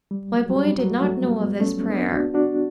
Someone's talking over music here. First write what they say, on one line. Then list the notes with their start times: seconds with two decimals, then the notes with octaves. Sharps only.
My boy did not know of this prayer.
0.11 G3
0.34 F#3
0.50 F#3
0.56 G3
0.79 F#3
1.01 F#3 A3
1.30 G3 B3
1.60 A3 C#4
1.89 B3 D4
2.12 D4 F#4
2.34 D4 F#4